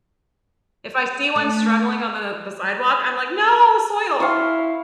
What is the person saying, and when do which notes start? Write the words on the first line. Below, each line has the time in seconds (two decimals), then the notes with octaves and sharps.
If I see one struggling on the the sidewalk, I'm like no soil.
1.36 A3
4.20 E4 F5 C6 C#6